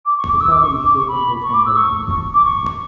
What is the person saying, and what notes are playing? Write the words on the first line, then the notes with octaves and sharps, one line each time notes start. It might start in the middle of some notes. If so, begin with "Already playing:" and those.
Society is shaken to its foundations.
D6
C#6
D6
E6
D6
C#6
D6
C#6
B5
C#6
D6
E6
C#6
C#6
D6
C#6